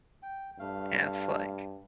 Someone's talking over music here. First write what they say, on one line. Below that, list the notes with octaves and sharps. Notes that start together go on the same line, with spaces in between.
and it's like
G5
G2 A3 F5